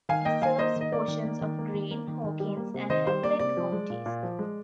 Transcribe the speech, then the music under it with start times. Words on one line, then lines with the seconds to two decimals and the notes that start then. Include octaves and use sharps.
It serves portions of Greene, Hawkins and Hamblen counties.
0.09 D#3 F5 G#5
0.25 A#3 D#5 G5
0.42 D#3 F5 G#5
0.58 A#3 C5 D#5
0.76 D#3 D#5
0.92 A#3 D5
1.08 D#3
1.24 A#3
1.41 D#3
1.58 A#3
1.74 D#3
1.91 A#3
2.08 D#3
2.24 D#3
2.40 G3
2.57 A#3
2.74 C3
2.90 D#3 C5 D#5
3.07 G3 C5
3.23 A#3 D5
3.39 C3 D5
3.57 F3
3.72 G#3
3.90 A#2
4.06 A#2
4.23 F3
4.39 G#3